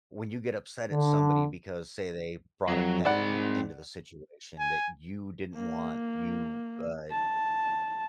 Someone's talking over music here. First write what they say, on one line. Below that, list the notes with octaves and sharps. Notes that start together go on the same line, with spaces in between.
when you get upset at somebody because, say, they brought a pet into the situation that you didn't want, you, uh,
D3
F2 F#3
G#2 C4 D5 F#5 B5
G#5
A#3
A5